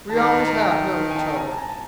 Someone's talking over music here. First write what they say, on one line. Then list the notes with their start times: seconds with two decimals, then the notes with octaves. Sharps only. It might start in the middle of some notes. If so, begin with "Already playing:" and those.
"We always have known each other."
0.09 D#3 A5
0.18 A#5
0.25 A5
0.31 A#5
0.39 A5
0.48 A#5
0.55 A5
0.62 A#5
0.70 G5 A5
1.10 G#5
1.15 G5 A5
1.36 G#5 A#5
1.51 A5
1.57 G#5 A#5
1.69 A5